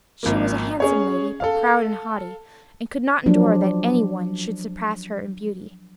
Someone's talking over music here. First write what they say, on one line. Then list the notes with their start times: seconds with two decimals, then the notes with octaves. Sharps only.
She was a handsome lady, but proud and haughty, and could not endure that any one should surpass her in beauty.
0.23 G#1 F3 A#3
0.80 C#4 G#4 C#5
1.40 A4 F5
3.26 F3 F#3 D4